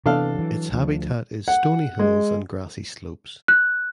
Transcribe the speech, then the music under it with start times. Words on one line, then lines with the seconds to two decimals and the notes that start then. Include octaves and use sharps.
Its habitat is stony hills and grassy slopes.
0.06 C3 E3 B3 D4 A4 F5
0.35 E3 F#3
0.72 D2 F3
1.48 F#5
1.99 G#3
3.48 F#6